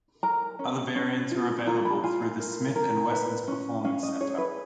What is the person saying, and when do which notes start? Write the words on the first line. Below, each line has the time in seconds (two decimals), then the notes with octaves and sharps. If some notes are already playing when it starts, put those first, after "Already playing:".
Other variants are available through the Smith and Wesson's Performance Center.
0.23 A#4 A#5
0.59 C#4
0.96 C#4
1.31 F4
1.67 F4 A#5
1.85 B5
2.04 F4 G#5
2.22 F5
2.39 A#4
2.76 A#4
3.12 B4
3.48 C#4
3.85 C#4 F5
4.03 D#5
4.20 G#4 C#5
4.38 B4